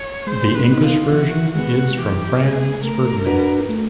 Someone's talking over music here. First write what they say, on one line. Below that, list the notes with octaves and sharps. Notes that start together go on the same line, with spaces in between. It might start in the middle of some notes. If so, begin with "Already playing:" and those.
The English version is from "Franz Ferdinand".
Already playing: C#5
G#3 C5
B4
B3 D#4
F4
E3 F#4
G#3 B3 F#4
E3 G4
G#3 B3 G#4
A3 A#4
D4 F#4 B4
A3